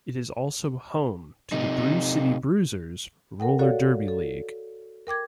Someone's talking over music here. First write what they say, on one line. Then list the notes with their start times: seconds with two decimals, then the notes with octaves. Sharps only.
It is also home to the Brewcity Bruisers roller derby league.
1.52 C3 D#4
3.40 A4 A#4 F#5 G5
3.59 F#4 A4 C#5 D5 F5
4.08 A4
5.07 A#4 G5 D6 G#6